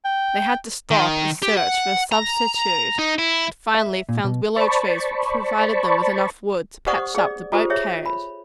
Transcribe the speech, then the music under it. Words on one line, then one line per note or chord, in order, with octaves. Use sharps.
They had to stop and search for a substitute, and finally found willow trees, which provided them with enough wood to patch up the boat-carriage.
G5
D#3
G4
F#5
A#5
D#4
E4
E5
A#2
B2
C5 D5 A5 B5 C#6
G4 C5 D5 F#5 C#6 D#6
G#4 D5
F4 G4 A4 C5
G#4 C#5 E5
B5